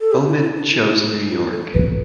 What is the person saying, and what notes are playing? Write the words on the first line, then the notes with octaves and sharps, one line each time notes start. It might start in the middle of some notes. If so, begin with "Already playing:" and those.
Ullman chose New York.
A4
G4
E4
E4
D4
E4
E4
F4
A4
B4